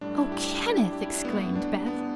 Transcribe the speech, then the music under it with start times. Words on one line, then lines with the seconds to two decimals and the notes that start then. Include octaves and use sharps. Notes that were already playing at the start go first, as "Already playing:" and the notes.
"Oh, Kenneth!" exclaimed Beth.
0.01 A2 G3 D4
0.16 E4
0.32 G4
0.56 E4
0.63 D4
0.92 G4
1.03 E4
1.14 D4
1.25 A2 G3 B3
1.40 B3
1.55 D4
1.86 B3